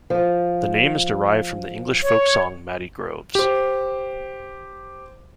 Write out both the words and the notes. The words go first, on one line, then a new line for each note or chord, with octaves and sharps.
The name is derived from the English folk song Matty Groves.
F3
C#5
G4 C5